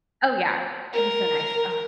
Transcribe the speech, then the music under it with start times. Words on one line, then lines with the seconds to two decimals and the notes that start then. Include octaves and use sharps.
Oh, yeah. It'd be so nice, ugh.
0.93 A#4